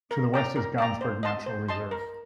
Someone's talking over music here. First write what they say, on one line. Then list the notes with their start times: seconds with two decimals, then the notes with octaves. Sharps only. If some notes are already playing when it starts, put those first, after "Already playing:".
To the west is Gamsberg Nature Reserve.
0.11 A#4
0.34 D5 G5 A#5
0.56 A#4
0.78 D5 G5 A#5
1.01 C5
1.23 D#5 A5 C6
1.46 C5
1.69 D#5 A5 C6
1.91 A#4